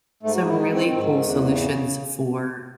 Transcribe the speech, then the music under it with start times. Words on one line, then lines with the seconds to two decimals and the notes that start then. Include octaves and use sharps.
some really cool solutions for
0.23 G#2 A3
0.35 F#4
0.44 D#4
0.47 D#3 E4
0.59 D#4
0.72 D#3 C4
0.89 C4
0.96 G#2
1.22 E2
1.46 C#3